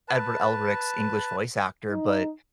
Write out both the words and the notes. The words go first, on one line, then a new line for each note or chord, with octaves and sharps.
Edward Elric's English voice actor, but
B4 A5
D#4